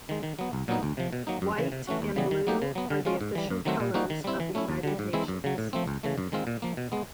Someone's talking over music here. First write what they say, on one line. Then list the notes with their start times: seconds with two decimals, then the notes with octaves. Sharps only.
White and blue are the official colours of the United Nations.
0.09 D#3 G#3
0.23 D#3
0.39 F#3 B3
0.53 C2
0.68 A#2 F#3 B3 D#4
0.83 D2
0.97 C3 F3
1.13 B2
1.27 F#3 A#3 D#4
1.42 F#2
1.58 C#3 E3
1.72 C3
1.87 E3 A3 C#4 F#4
2.02 D#2
2.16 C#3 E3 G3 B3
2.31 D#3
2.47 F#3 A#3 D#4 G4
2.62 C#3
2.75 F#3 B3
2.90 D3
3.05 F3 G#3 C#4 F4
3.21 G#2
3.35 E3 G3
3.50 F#2
3.65 D#3 F#3 A3 C4
3.80 A#2
3.94 G3 A#3 D#4 F#4
4.10 D#3
4.24 G3 C4 E4
4.40 E3
4.55 A3 C#4 E4
4.69 D#2
4.83 D3 G3
4.99 G#2
5.13 E3 G#3 C4 E4
5.28 F#2
5.44 C#3 F#3
5.58 A2
5.73 F3 A3 C4
5.88 C#2
6.03 C#3 E3 A3
6.18 F#2
6.32 D#3 G#3 C4 F4
6.47 A#2
6.62 F3 A#3
6.77 B2
6.92 G#3 B3